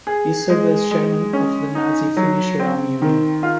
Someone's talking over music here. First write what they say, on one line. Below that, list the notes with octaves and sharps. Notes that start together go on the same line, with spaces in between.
He served as chairman of the nazi Finnish Realm Union.
G#4
G#3
G#3
C#4
D#4
F#3
C4
D#3
F4